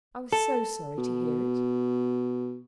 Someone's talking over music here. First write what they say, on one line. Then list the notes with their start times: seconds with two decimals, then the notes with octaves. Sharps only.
"I was so sorry to hear it."
0.33 A4
0.98 B2